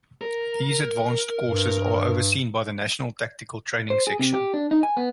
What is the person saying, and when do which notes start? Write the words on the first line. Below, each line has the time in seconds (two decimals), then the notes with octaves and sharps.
These advanced courses are overseen by the National Tactical Training Section.
0.21 A#4
1.44 G2
3.90 C5
4.07 G#4
4.19 C3
4.33 G4
4.54 D4
4.71 D#4
4.83 G#5
4.97 B3